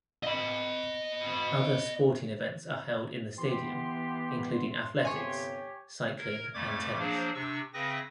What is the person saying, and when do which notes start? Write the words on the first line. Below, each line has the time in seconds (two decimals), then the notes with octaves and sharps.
Other sporting events are held in the stadium, including athletics, cycling and tennis.
0.23 D#5 B5
3.38 E3 B3 G4 C6
5.05 G1 G2 C3 G4 C#5 G#5
6.18 A#4 G#6
6.54 F2 G3 A3 D6 G#6
6.99 F3 F#3 A#3 D4 G#4 C5
7.34 C3 D4 C#6 E6
7.74 C#3 C4 B4 E5 D#6 A#6